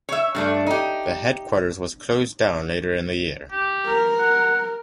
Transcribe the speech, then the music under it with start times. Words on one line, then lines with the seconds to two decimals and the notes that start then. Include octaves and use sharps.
The headquarters was closed down later in the year.
0.09 C#5 E5
0.35 G2 A3 D4
0.67 D#4 G4
3.51 G4
3.86 A#4
4.19 F#5